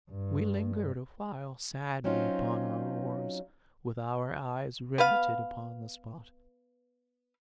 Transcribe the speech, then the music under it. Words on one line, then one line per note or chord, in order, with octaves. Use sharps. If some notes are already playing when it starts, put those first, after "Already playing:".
We lingered awhile sadly upon our oars, with our eyes riveted upon the spot.
G2
F#3 C4 C#4 D#4 F4
B3 B4 F5